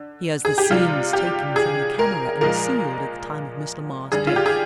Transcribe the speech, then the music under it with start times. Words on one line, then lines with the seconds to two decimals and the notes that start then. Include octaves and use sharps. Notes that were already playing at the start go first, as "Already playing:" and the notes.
He has the scenes taken from the camera and sealed at the time of Miss Lamar's death.
Already playing: D3
0.45 G#4
0.58 G4
0.71 C3 G3 F4
1.13 G4
1.56 G#4
1.99 A#4
2.41 A#2 F3 G#3 A#4
4.12 D3 G3 G#4
4.27 F4
4.36 G4
4.46 G#4